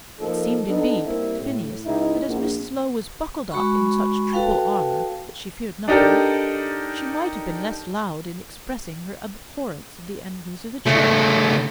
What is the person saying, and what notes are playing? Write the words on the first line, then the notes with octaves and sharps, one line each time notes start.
It seemed, indeed, to Phineas that as Mrs. Low was buckled up in such triple armour that she feared nothing, she might have been less loud in expressing her abhorrence of the enemies of the Church.
F3 A#3 D#4 A4
B3 D4 D#4 A4
G3 A#3 C4 E4
A2
C#2 D#4 E4
A#1
G#3 F#4 B5 C#6
F#4 A4 B4 F5 G5 A5
D4 D#4 G4 A4 A#4
C#3 A3